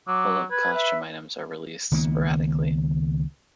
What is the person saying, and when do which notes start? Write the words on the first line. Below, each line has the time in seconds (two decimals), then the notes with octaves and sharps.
Pullip Costume items are released sporadically.
0.08 F#3 D6
0.51 B4 G#6
0.75 E5
1.92 C#2 D#3 A#3 B3